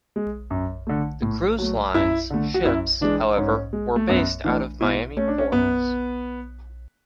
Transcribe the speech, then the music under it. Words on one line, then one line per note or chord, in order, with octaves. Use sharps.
The cruise line's ships, however, were based out of Miami ports.
G#3
F#2
D3 A3
A2
F#3 A3
F#2 E4
D3 A3
F#4
F#2 E4
E3 G#3 D4
G#2 C#4
G#3
A3
F#2 B3
E3 A3 D4
B2 E4
A3 C#4
D4
C#4
F#2 B3